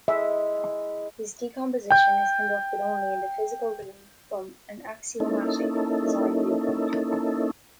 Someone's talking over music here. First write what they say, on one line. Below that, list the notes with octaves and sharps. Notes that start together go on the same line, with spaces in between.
This decomposition is conducted only in the physical domain from an axiomatic design viewpoint.
G#3 E4 E5 D#6
G5 G6
A#3 C#4 D#4 E4 A4